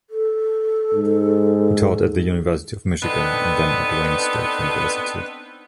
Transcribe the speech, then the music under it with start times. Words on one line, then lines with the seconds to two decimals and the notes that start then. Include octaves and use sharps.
He taught at the University of Michigan and then at Wayne State University.
0.10 A4
0.93 G#2
3.02 B3 C4 D4 D#4 A4 B4